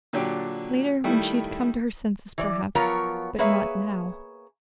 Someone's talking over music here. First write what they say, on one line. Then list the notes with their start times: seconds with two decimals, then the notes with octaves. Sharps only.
Later, when she had come to her senses, perhaps--but not now.
0.13 A#2 D3 F#3 D4 G4
1.04 D#3 G3 A3 E4
2.38 E3 C#5 D5
2.75 F3 F#3 B3 F4 A#4 C#5
3.39 A#3 G#4 B4 C#5 E5